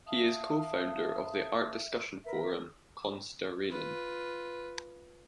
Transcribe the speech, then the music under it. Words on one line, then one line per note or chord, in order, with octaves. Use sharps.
He is co-founder of the art discussion forum "Konstarenan".
E5 F5 A5 D#6
A#4 B4 E5
F4 B4